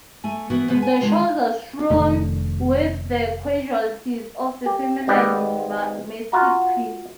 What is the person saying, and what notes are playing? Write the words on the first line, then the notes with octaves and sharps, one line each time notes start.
The shores are strewn with the casualties of the feminine mystique.
A3 G#5
E3 B3 F#4 A#4
B2 G#3 A3 B3 B4 C5
G#5
D3 D#3 G#3 F4
F1 D#3 A3 D4
G4
G#1 G#2 G4 B4 D5 D#5
F4 F#4 A#5